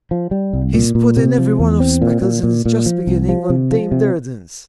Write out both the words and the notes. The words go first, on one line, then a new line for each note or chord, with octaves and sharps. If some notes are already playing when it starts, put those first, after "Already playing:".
He's put in every one of Speckle's, and is just beginning on Dame Durden's.
F3
G3
C2
A#2
A#2
C3
F3
E2
C4
A#2
A#2
A#2
A#2
F3
C2
F3
C3
F3
C3